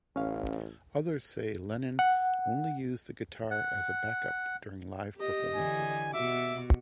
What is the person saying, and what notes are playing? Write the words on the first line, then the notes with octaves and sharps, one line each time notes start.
Others say Lennon only used the guitar as a back-up during live performances.
A1 C#4 F5
F#5
F#5
G4 D#5
D3 E3 G#5
B2 F#4 E5 D6